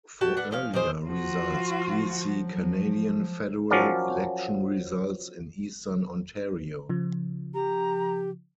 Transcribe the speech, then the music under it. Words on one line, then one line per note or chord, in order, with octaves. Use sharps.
For earlier results, please see Canadian federal election results in Eastern Ontario.
F#4 G4 G5 A5
D4 B4 F#5
F3 C#4 F5
D#3 G4 G#4 C5
F3 F4 F#4
F#3
F3 F#3 C#4 A#4 D5
C#3 F3
G4 A#5